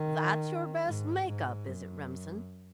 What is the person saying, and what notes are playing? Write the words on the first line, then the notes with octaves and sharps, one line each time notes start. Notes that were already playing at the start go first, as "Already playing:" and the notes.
"That's your best make-up, is it, Remsen?"
Already playing: D#3
G#2
G#2
F#2